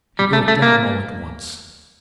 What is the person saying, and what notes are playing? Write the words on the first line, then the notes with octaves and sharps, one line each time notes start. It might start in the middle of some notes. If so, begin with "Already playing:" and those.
He broke down all at once.
G3
A3
A3
A#3